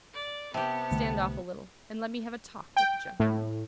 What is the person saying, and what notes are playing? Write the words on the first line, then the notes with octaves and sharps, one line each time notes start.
"Stand off a little, and let me have a talk with the gentleman."
D5
C3 B3 G4 A5
C2 D3 A3
G5
A2